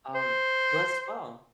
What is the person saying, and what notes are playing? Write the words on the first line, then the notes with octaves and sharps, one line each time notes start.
um, you as well.
C5